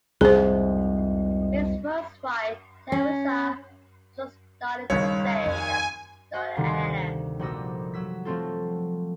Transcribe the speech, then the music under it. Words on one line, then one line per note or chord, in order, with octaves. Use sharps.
His first wife Theresa also starred in the play as “Donna Anna”.
C2 F2 G#2 G#4 C5
C#4
G#1 D#2 C#3 G3 C#5
F2 G#5
F#4 C5 D#5 F5 F#5
D2 C3 D#3 G3
A#1 G3 F#4 D#5 E6
F#3 E6 B6
F3 F#3 A3 C4 F4 A4